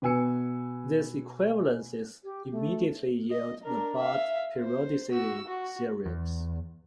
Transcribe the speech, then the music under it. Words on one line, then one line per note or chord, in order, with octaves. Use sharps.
These equivalences immediately yield the Bott periodicity theorems.
B2 B4 G#5 E6 C#7
G4
A3
D#5
D4 A#4
E5 F5
C5
F#4 E6
F#4
E2